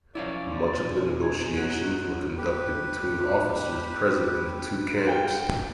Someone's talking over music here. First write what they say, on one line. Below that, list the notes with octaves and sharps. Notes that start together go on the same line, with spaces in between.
Much of the negotiations were conducted between officers present in the two camps.
C2 F3 C#4 E4 C#5 D5 F5
B2 C4 G#5
D#4 G#5
F#3 F#5
G4 B4
F#5 G5 F6